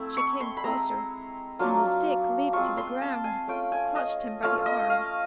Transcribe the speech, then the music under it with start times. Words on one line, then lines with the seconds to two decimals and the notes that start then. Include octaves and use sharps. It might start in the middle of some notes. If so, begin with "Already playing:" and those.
She came closer, and, as Dick leaped to the ground, clutched him by the arm.
Already playing: A3 C4 E4
0.17 C#6
0.41 C6
0.57 B5
0.64 G#3 C4 E4 A#5
1.59 F#3 A#3 D4 F4
2.53 G#3 C4 F4 C#6
2.77 C6
3.01 A5
3.24 G#5
3.48 A3 C#4 F4 G5
3.72 G#5
3.96 D#5
4.43 A3 C#4 F4 F5
4.66 D#5
4.90 F5